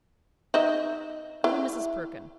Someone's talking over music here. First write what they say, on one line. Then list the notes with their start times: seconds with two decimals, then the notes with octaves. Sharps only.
Go to Mrs. Perkin.
0.54 D#4 D#5 E5
1.44 E4